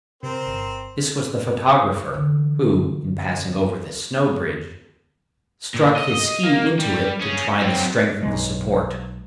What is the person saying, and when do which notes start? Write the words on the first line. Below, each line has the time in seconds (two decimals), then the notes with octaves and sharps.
This was the photographer, who, in passing over this snow-bridge, struck his ski into it to try the strength of the support.
0.23 C3 C4 A#4 C5
0.47 G1
2.14 D3 E3
5.74 A#2
5.96 D#5
6.44 A#3
6.79 G3
7.21 C#4 G#4
7.61 F#3 C4
8.23 B1 G#3